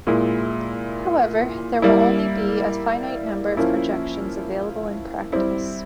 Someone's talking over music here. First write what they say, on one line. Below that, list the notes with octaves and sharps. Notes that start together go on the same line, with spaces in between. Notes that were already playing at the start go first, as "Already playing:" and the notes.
However, there will only be a finite number of projections available in practice.
A#2 G#3 E4
G3 A#3 E4
F3 A#3 C#4 E4
G3 C4 E4